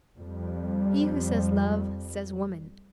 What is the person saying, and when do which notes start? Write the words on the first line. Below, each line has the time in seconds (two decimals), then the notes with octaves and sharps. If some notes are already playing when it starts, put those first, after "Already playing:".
He who says love, says woman.
0.18 F2 G3